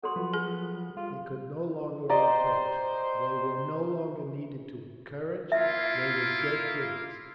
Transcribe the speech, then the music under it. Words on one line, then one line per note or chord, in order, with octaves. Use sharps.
They could no longer reproach, they were no longer needed to encourage, they were dead things.
F#4 A4 C6 D#6
F3 F#3 B3
G#4
G3 F4
G4 C5 D5 D#5 A#5
A#3 E4 F4 E5